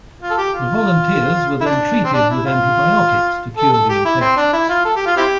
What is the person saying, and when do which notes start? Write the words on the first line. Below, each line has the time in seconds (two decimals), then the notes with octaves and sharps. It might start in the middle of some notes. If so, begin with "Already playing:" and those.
The volunteers were then treated with antibiotics to cure the infections.
0.22 F4
0.30 A4
0.38 G4
0.53 F4
1.61 E4
1.65 D4
2.04 C4
2.13 D4
2.30 E4
2.46 F4
3.57 A4
3.73 A4
3.89 G4
4.05 E4
4.21 C4
4.37 D4
4.53 E4
4.69 F4
4.85 A4
4.96 G4
5.06 F4
5.17 C4 E4 G4